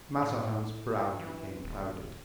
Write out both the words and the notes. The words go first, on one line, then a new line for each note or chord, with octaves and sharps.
Mazarin's brow became clouded.
A2
E3
D#1